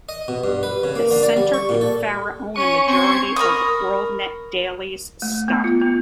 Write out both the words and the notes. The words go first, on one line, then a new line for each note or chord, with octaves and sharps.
The Center and Farah own a majority of WorldNetDaily's stock.
D#5
B2
G2
B4
C#3
A#3
D3
D5
G3
C#6
A#2
A4
C#4 C#6 D#7
C4 G#6
A#4 B5 C#6 D#6
A3
B3
F4
B3